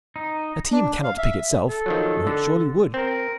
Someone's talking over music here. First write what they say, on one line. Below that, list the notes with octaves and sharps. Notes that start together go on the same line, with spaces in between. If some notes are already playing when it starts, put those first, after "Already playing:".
A team cannot pick itself, or it surely would.
D#4
D4
F5
E5
A4
D#3 F3 F#3
D3
C4 A#4